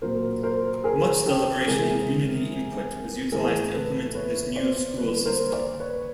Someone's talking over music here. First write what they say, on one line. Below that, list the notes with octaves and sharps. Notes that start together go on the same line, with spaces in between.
Much deliberation and community input was utilized to implement this new school system.
A#2 F#3 A#3 A#4 C5
A#4 C5
G#4 A#4
G4 A4
C3 E3 G#3 G#4 A#4
A2 E3 A3 G#4 A#4
A4 B4
B4 C#5
C5 D5
D3 G3 A#3 B4 C#5
A#4 C5
C5 D5
B4 C#5